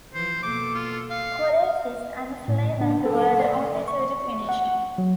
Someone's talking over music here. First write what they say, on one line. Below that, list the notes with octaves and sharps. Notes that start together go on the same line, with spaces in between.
Kolettis and Flameng were the only two to finish.
E3 F3 C5
B2 A#3 A4 D6
F4
F5
A2
D4
A4
D5
C#6
F#5
F#3